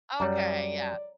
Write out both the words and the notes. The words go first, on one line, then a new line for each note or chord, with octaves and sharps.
Okay, yeah.
F#2 G3 C#5 D5 G5 A#5